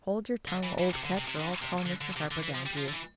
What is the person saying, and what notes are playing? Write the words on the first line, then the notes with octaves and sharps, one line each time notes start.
Hold your tongue, old Ketch, or I'll call Mr. Harper down to you.
D3
E3
E3
C3
D3
C3
C3
D3
C3
D3
D3
C3
D3
E3
F3
G3
F3
D3
E3